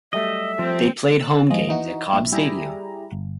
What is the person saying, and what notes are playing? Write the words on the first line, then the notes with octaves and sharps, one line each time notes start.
They played home games at Cobb Stadium.
F#3 G3 A3 D#5 E5
F3 C4
E6 F#6 A6
G#1 F3 G#3 D#5
E3 D#4 F#4
A#1 E4
G3 E4 G4 G#4 A#5
G1